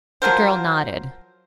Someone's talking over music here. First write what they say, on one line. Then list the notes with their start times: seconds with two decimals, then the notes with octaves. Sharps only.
The girl nodded.
0.22 F3 F#3 A#4 C5